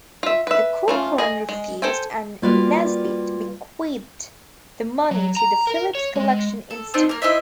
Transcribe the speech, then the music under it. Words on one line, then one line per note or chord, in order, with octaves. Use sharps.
The Corcoran refused and Nesbitt bequeathed the money to the Phillips Collection instead.
F4 E5
B4 E5
A3 C#4 F4
G#4 D#5 G#5
G#3
A4 C5 G5 G#5
G3 A#3 F4 F#4 B4 D5
F#3
A#5
A#4
C#5
G#3
A4
C4 D4 D#4 F4
A#3 A#4
E4 C5 D#5 E5